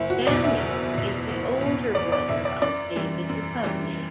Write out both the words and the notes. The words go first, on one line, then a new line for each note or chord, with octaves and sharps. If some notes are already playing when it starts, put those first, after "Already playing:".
Daniel is the older brother of David Duchovny.
Already playing: F#1 E4
F#4
E2 B2 D5
E5
F#1
E2 B2
F#1
E2 B2
F#1 D5
D5
E2 B2 E5
D5
F#2 D5
E3 G3
F#2
E3 G3